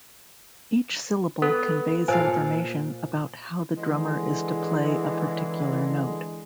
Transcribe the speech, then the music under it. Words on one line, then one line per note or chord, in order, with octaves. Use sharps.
Each syllable conveys information about how the drummer is to play a particular note.
B3 A4
A#2 A4 C5 F5 G#5
D3 E3 G#3